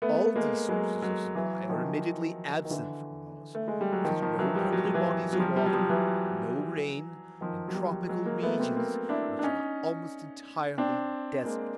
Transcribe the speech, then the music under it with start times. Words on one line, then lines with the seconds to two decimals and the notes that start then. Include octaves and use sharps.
All these sources of supply are admittedly absent from Mars, which has no permanent bodies of water, no rain, and tropical regions which are almost entirely desert.
0.02 A3 B3
0.36 G#3 A#3
0.69 F#3 G#3
1.02 F#3 G#3
1.35 E3 F#3
1.69 D#3 F3
2.65 D#3
2.70 D3 E3
3.55 A3
3.68 G#3
3.81 G3
3.92 F#3
4.04 D#3 F3
4.22 D#3 F3
4.39 E3 F#3
4.55 F3 G3
4.73 F#3
4.84 F3
4.94 E3 F#3
5.33 F#3
5.39 F3 G3
5.56 F3 G3
5.66 F#3
5.73 F3 G3
5.89 E3 F#3
7.41 D#3 F3
7.68 F#3
7.75 F3 G3
8.09 F#3 G#3
8.26 G#3 A#3
8.42 A3 B3
8.59 A#3 C4
8.76 A#3 C4
9.09 D4 E4
9.39 D4
9.43 C#4 D#4
10.78 C4 D4
11.45 G#3 A#3